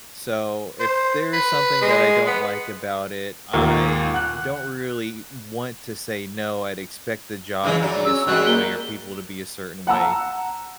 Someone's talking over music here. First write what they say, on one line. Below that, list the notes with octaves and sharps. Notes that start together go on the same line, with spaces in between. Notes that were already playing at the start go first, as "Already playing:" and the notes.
So, if there's something that I don't like about it, I don't really want to say no, I'd expect the job to be a certain way or people to be a certain way,
C5
B4
G#3
B3
D#2 A#2 A#5
F#5 F#6
C#3 E3 G#3
F#3 D5
C#4 E6
G3 G#3 F#4 F#6
A#3 G7
F#5 A5 A#5 E6